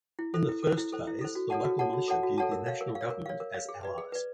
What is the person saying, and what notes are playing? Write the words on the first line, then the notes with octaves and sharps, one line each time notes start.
In the first phase the local militia viewed the national government as allies.
E4
A4 C5
E4
A4 C5
E4
A4 C5
E4
A4 C5
F#4
A4 C#5 F#5 A5
F#4
A4 C#5 F#5 A5
F#4
A4 C#5 F#5 A5
F#4
A4 C#5 F#5 A5
A#4
C#5 F5
A#4
F5
C#5
A#4
C#5 F5
A#4
C#5 F5
G#4
B4 D5
G#4
B4 D5